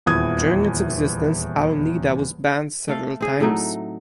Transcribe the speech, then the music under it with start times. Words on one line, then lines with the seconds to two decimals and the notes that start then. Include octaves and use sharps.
During its existence "Al Nida" was banned several times.
0.06 D#1 E2 E3 D#6 G#6
2.88 A3 A4 F5
3.21 C4 G#4
3.40 A2 F#3 A3 D#4